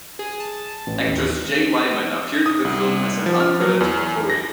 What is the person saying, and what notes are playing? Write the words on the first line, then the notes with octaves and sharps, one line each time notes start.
Actress Jane Wyman appeared in the film as an uncredited chorine.
G#4
A5
A1
D#2
D#6
C2
F3
F6
F#3
E2
A#6